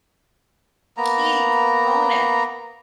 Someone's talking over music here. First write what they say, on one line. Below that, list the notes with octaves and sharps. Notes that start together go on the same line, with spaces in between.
key component
A#3 B3 A#5